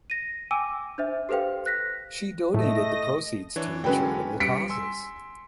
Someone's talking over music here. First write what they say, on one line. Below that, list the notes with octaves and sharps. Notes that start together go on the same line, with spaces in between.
She donated the proceeds to charitable causes.
A#6 D#7
G5 G#5 D6 E6 D#7
D4 C5 E5
G4 A4 B4 C5 F5 G5
F#6 A#6 B6
A2 A3 D#5 A#6
E3 D4 C#5
D3 F#3 G#3 C#4 B4 G5
G3 B6 C#7 D7
G#5 C6 E6